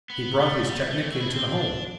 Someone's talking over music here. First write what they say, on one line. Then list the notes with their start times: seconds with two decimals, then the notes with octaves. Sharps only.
He brought his technic into the home.
0.10 B3
0.39 A3
0.68 G3
0.90 A3
1.06 G4
1.12 F#4
1.20 E4
1.27 D4
1.34 C4
1.48 C4
1.56 D4